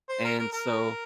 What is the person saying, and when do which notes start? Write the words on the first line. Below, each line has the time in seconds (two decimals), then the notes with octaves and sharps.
And so
0.09 C5
0.24 A#4
0.39 A#4
0.53 A#4